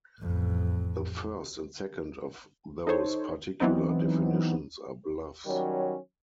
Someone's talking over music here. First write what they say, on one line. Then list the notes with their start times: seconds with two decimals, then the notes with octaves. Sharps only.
The first and second of those particular definitions are bluffs.
0.21 A1 F2
2.87 D#4 A4 C5 C#5
3.60 E3 F#3 B3 C4 D#4
5.46 D#3 F#3 G3 C#4